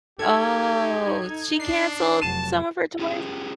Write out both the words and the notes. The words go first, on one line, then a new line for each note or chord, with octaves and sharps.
Oh, she canceled some of her tours?
D#4 G4 A4 G#6
D4 C7
F1 F#3 A5 D#7 E7
C#4 F4 G4 G#4